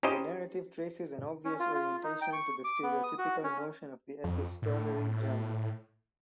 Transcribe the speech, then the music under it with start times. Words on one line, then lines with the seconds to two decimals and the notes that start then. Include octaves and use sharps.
The narrative traces an obvious orientation to the stereotypical notion of the epistolary genre.
0.03 C#4 D#4 E4 G4 C5 D#5
1.45 C#4
1.60 F4
1.75 F4
2.04 D#4
2.21 G5
2.33 C#6
2.64 D6
2.83 B3
3.03 D#6
3.18 F#4
3.44 C#4
4.24 F2
4.62 A2